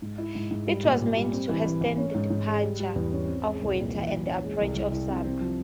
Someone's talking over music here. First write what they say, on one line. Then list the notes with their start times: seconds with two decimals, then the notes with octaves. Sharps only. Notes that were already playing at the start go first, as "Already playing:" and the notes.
It was meant to hasten the departure of winter and the approach of summer.
0.02 G#2
0.18 E4
0.35 G#2
0.51 G#2
0.67 G3
0.84 A#2
1.00 A#2
1.17 G3
1.33 C4
1.49 E3
1.65 E3
1.81 E3
1.98 C#4
2.15 G#2
2.30 G#2
2.48 G#3
2.63 G3
2.80 G3
2.96 E2
3.12 C#4
3.28 C4
3.45 G#3
3.61 C2
3.78 A#2
3.94 E3
4.10 E3
4.26 C#4
4.43 G#3
4.60 C2
4.75 C2
4.92 C2
5.09 C3
5.24 C4
5.41 F3